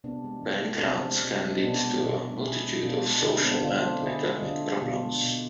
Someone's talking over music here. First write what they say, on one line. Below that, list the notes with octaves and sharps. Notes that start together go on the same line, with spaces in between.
Bank runs can lead to a multitude of social and economic problems.
C3 B3 D4
G#3
C3
G#3
D4
C3 C4
G#3
C3
G#3
B2 B3 D4
G#3
B2
G#3
B2 E4 G#4
G#3
B2 D4 F4
G#3
D3 E4
D4
C4
G#3 B3 D4
D3 D4 F4
G#3
D3 E4 G#4
G#3
D3 D4 F4
G#3
B2 D4 F4
G#3
B2